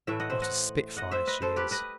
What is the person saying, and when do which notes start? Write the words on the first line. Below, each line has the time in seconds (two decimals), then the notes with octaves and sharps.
What a spitfire she is!'
0.07 A2 E3 A3 E5 G5
0.20 D#5 F#5
0.30 C5 E5
0.42 D#5 F#5
0.97 D#5 F#5
1.11 C5 E5
1.27 B4 D#5
1.42 A4 C5
1.56 G4 B4
1.71 B4 D#5